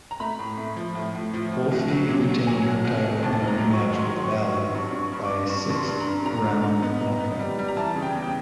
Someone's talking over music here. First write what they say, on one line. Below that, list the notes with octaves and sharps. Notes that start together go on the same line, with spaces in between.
Wolfe retained her title in a rematch with Valley, by a sixth round knockout.
A#5
A3 B5
A2
A3
F3
A2
A2
F3
A2
C2
F#3
A#2
F#3
F#3 G#5
C2
C2
C2
D#2 A5
D#3
A#5
F#3
C#6
D#3
C#6
F#3 C6
D#3
C#6
F#3
C#6
F#3
G2 C#6
G2
C#6
G2
C#6
D6
G2
G2 C#6
G2
C6
G2
A#5
G2
D3 A#5
D3
D#4
B3
D#4
B3
G3
G3
A#5
E3 A5
C#3
G5
E2
G5